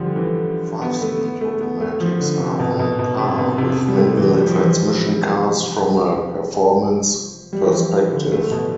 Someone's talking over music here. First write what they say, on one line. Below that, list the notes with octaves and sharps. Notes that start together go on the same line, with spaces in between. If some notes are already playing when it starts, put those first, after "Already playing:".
Five Speed automatics are on par with manual transmission cars from a performance perspective.
Already playing: D3 F3 G3
E3
B3
A3
B3
A3
B3
A3
F3
D3
C3
B2
B2
B2
C3
B2
C3
C3
G3
A3
E3
G3
F3
E3
F3
G3
E3
F3
E3
D3
A3
B2